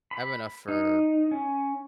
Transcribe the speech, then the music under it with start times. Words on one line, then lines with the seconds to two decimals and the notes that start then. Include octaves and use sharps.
I have enough for
0.11 B5
0.68 D#4
1.31 C#4